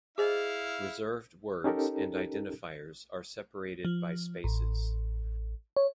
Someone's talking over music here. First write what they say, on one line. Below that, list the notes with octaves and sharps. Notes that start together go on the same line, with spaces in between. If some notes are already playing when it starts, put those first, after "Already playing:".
Reserved words and identifiers are separated by spaces.
E4 G#4 C5 D#5 F5
C#4 D#4 G4 A4 A#4
F3
A1
C#5